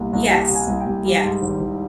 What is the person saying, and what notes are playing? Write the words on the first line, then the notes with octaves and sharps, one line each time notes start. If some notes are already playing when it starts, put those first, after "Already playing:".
Yes. Yes.
Already playing: C2 A#2 G3
C2
G3 G5
C3
G#5
C2
G5
C2
G3
G#2
G#1
G#1